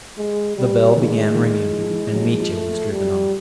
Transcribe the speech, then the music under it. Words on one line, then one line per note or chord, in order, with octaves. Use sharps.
The bell began ringing and Mitya was driven off.
G#3
G3
D#3 G#3
D#3
E3
F3
E3
F#3
F3
E3
F3
A3
G3